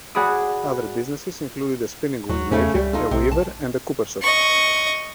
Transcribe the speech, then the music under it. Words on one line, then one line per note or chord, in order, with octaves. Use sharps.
Other businesses included a spinning wheel maker, a weaver, and a cooper shop.
F#4 G#4 D5 B5 D#6
D#2 F#3
E2 C#3 A3 C#4
C#2 G3
D#4 F4 A4
B1 C3
A5
D#5 C#6